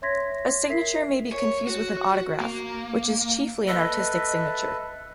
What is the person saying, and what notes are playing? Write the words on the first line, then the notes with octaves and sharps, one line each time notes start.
A signature may be confused with an autograph, which is chiefly an artistic signature.
C#5 E5 C6 G#6 A#6 B6
A#4 E5 B6 C7
C#5
F#4
A#3
A4 B4 D#5 E5